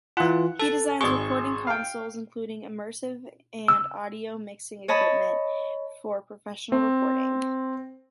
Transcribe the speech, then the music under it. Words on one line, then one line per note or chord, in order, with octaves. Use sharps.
He designs recording consoles including immersive and audio mixing equipment for professional recording.
E3 F4 F#5
A4 A5
G#1 G#4 C#6
F5 G5
E6
C#5 D#5 A5 B5
C4